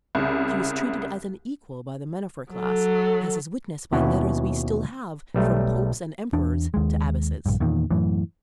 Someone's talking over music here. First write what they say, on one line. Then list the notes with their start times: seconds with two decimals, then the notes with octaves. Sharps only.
She was treated as an equal by the men of her class, as is witnessed by letters we still have from popes and emperors to abbesses.
0.15 C2 C#3
2.52 F#3 A4
3.92 D#2 B2 C#4 E4 F#5
5.34 B1 G3 A3
6.33 E2 D4
6.74 D#2 G#3
7.46 A#1 G2
7.60 E2 A#2 D#3
7.91 F#2 A2 E3